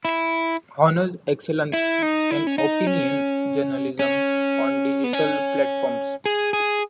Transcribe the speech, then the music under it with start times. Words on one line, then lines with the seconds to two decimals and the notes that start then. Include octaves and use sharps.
Honors excellence in opinion journalism on digital platforms.
0.05 E4
1.73 E4
2.02 D#4
2.31 E4
2.47 C#4
2.58 D#4
2.87 C#4
3.99 C#4
5.04 B3
5.13 C#4
6.26 G#4
6.53 G#4